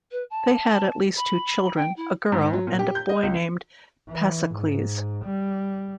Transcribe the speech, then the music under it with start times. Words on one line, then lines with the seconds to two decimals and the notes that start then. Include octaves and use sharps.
They had at least two children, a girl, and a boy named Pasicles.
0.11 B4
0.30 A5
1.16 B5
1.75 G5
1.96 E4
2.32 G#2
2.53 F#3
2.67 A#2
2.79 G4
2.95 G6
3.09 D#5
3.23 C#2
4.09 E3
4.54 G#2
5.25 G3